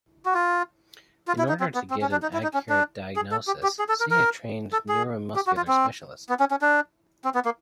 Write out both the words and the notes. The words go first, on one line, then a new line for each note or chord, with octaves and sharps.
In order to get an accurate diagnosis see a trained neuromuscular specialist.
F#4
F4
F4
E4
D#4
C4
B3
C4
C#4
D4
D#4
E4
D#4
C#4
D4
G#4
A4
G4
G4
G#4
A4
A#4
A#4
A4
G#4
G4
F#4
F4
C4
B3
C#4
C#4
D4
C4
B3
A#3